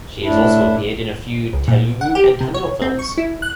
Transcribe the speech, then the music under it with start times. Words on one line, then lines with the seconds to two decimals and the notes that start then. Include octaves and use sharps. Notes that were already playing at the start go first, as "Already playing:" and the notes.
She has also appeared in a few Telugu and Tamil films.
0.24 A2 D4 E4
1.53 C#2
1.68 A#2
2.01 F#5
2.15 G4
2.41 C3
2.54 C#5
2.82 C4
2.99 C#6
3.18 E4
3.42 F#6